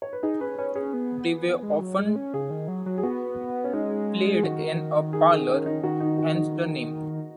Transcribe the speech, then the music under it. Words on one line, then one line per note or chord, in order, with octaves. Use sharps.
They were often played in a parlour, hence the name.
C#5
B4
D#4 G#4
C#4 B4
C#4 B4
C#4 G#4
B3
G#3
F#3
G#3
C#4
C#3 G#4
D#3
F#3
F#3
G#4
B3 F#4
C#4
G#3 D#4
G#4
D#3 F#4
G#4
G#4
C#4
D#4
D#3 F#4
D#4
F#4
D#4